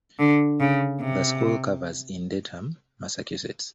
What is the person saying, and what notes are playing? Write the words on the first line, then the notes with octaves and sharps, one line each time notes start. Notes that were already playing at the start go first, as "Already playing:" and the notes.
The school covers in Dedham, Massachusetts.
D3
C#3
C3